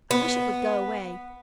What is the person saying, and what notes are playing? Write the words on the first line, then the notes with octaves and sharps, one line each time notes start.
I wish it would go away.
B3